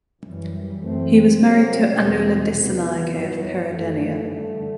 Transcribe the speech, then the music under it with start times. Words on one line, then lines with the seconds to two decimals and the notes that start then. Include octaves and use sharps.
He was married to Anula Dissanayake of Peradeniya.
0.23 F#2 E3 G3
0.81 F#2 E3 A3 C4
1.40 C3 F#3 C4
1.98 E2 B2 G3 C4
2.56 C3 E3 B3
3.15 G2 F#3 B3
3.73 F#2 E3 A3
4.31 G2 D3 A3